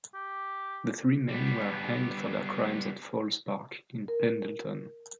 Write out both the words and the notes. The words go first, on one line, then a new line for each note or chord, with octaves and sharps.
The three men were hanged for their crimes at Falls Park in Pendleton.
G4
G3 B3
A#4